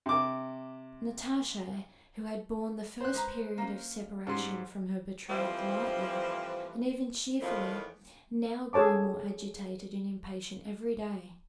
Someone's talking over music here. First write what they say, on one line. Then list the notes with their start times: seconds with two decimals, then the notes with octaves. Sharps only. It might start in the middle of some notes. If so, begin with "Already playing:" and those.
Natasha, who had borne the first period of separation from her betrothed lightly and even cheerfully, now grew more agitated and impatient every day.
0.06 C3 D6
3.01 C5 F#6
3.14 G#3 B4 A#5
3.58 A#3 C#4
4.27 G#2 G3 C#4 C6
5.29 E3 F3 G3 A3 C4
7.41 E2 A2 D#3 F3
8.73 G#4 A4 C#5 A5 D6